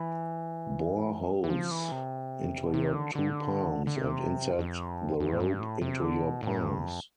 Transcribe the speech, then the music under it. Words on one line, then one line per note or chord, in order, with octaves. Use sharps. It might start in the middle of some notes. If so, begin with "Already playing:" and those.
Bore holes into your two palms and insert the rope into your palms.
Already playing: E3
E3
F3
E3
C3
B2
C3
D3
D3
D3
C3
F2
E2
A2
G2
A2
C3
D3
B2
A2
G2
E2
F2